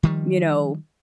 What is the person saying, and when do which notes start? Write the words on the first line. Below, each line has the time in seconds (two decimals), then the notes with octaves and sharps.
you know,
0.03 D#3 F3 G3